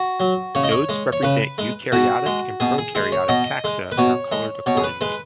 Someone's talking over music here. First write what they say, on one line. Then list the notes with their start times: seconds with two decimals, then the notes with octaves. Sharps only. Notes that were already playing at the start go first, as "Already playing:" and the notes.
Nodes represent eukaryotic and prokaryotic taxa and are colored accordingly.
Already playing: F#4
0.20 F#3
0.55 C#3 C#5
0.64 D#5
0.71 C#5
0.89 G#3
1.12 C#5
1.23 C#3 B4
1.58 G#3
1.92 B2 F#4
2.26 G#3
2.60 B2 G#4
2.78 G#4
2.95 G#3 G#4
3.12 C#5
3.29 B2 D#5
3.64 G#3
3.92 B4
3.98 B2 C#5
4.32 G#3
4.66 B2 C#5
4.77 G#4
4.84 B4
5.01 G#3 B4